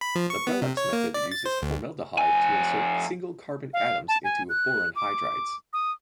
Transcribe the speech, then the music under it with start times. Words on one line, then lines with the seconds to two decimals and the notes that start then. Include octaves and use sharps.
The Brellochs method uses formaldehyde to insert single carbon atoms into boron hydrides.
0.01 B5
0.15 F3
0.30 C#6
0.47 B3
0.62 C3
0.77 C#5
0.93 A#3
1.14 D5
1.32 A6
1.46 C5
1.62 D2
2.18 F2 G#5
3.73 F5
4.08 A5
4.24 G#5
4.49 F#6
4.96 D6
5.73 D#6